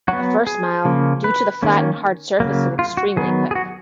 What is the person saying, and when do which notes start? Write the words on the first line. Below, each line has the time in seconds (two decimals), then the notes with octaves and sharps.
The first mile, due to the flat and hard surface is extremely quick.
0.08 F#3 B3 F#4
0.47 G#4
0.85 C#3 F3 A#3
1.24 B4
1.63 D#3 A#3 C#4
2.40 C#3 F#3 A#3
2.79 F4
2.97 F#4
3.17 D#3 F#3 B3 G#4
3.51 G#4
3.55 F#4